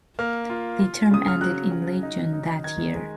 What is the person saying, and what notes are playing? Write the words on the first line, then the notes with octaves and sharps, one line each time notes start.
The term ended in late june that year.
A#3 F6
F4
F4
C#3 D#6
F6
F#3 F#6
F#3
D#4
D#4
D#3 G#6
G#3